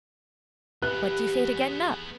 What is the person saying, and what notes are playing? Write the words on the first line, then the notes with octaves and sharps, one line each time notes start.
"What do you say to gettin' up?"
B3 G4 G#4 B4 F#6